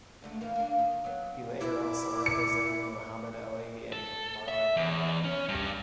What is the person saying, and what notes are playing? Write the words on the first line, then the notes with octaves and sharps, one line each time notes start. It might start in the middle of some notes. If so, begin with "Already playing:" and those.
He later also represented Muhammad Ali and Marlon Brando.
D2 D3 A3
E3 A#3 B3
A#3 D4
D#3
F#3 B3
E4 D6
C#7
A4
E5
E2
C#4
G2